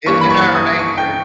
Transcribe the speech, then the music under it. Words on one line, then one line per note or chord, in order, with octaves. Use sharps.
it's in our nature
G2 E3 G3 A#3 C#6
B5
C#6
D#6
C#6
G5